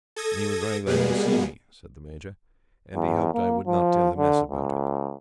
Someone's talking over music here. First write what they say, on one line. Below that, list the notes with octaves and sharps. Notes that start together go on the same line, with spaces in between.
He was very glad to see me," said the Major, "and he hoped I would not tell the Mess about it.
A4 D#6 G#6 A#6
B2 G3 G#3 A#3 B3 G#4
E2
A#3
F3
D3
C#2